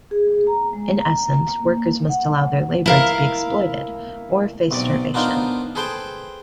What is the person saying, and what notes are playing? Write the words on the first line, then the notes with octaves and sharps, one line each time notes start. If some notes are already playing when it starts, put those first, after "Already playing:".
In essence, workers must allow their labor to be exploited or face starvation.
G#4
A#5
G#3
A#5
A#3
F#5
E4 A#4 F5
B1 C3 D5
B3 D4 D#4 F4 A#4 C5
G#4 A4 B4 C5 G5 A5